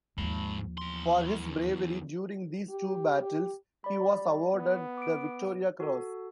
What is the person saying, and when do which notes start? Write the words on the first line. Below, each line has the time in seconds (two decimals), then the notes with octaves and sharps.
For his bravery during these two battles, he was awarded the Victoria Cross.
0.18 D#2 G#2 F3 B5
0.78 E2 C6
2.69 G4
3.22 G4
3.84 G3 D5 B5
4.54 B3
4.98 D6 D7
5.80 F#4 A4